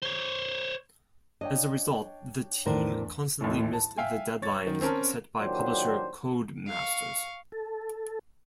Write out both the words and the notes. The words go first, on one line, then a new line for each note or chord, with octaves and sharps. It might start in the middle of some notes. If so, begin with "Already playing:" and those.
As a result, the team constantly missed the deadlines set by publisher Codemasters.
C5 C#5
D4 C#5 D#5 G5
E2 A2 D4 A#4 C5
A1 D#2 A2
A5
E5 F5 G5 G#5
C#5 A6
D#3
C4 C#4 A#4 A5
A#2 D#3 F#3 D4 G4 C5
F5 C#6
A4